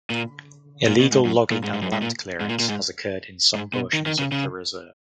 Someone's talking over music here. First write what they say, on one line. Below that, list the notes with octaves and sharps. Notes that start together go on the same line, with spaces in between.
Illegal logging and land clearance has occurred in some portions of the reserve.
A#2
A#2
B2
G#2
F#2
A#2
G#2
G#2
F#2
G#2
A#2
G#2
A#2
A#2
G#2
G#2
B2
D#3
D#3
C#3
C#3